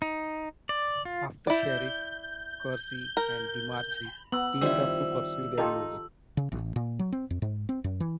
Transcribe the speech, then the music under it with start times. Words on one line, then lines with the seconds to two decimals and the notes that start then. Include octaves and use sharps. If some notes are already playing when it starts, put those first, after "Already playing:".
After Sheriff, Curci and DeMarchi teamed up to pursue their music.
0.02 D#4
0.69 D5
1.05 F4
1.47 E4 D5 G6
3.17 A#4
4.32 B3 E6 F#7
4.62 D#3 F3 G3 C4 E4 E6
5.58 D#4 F4 G4 A4
6.37 C#3
6.52 A1
6.76 A#2
6.99 F#3
7.12 C4
7.31 F2
7.42 G#2
7.69 C4
7.84 F#2
8.00 E3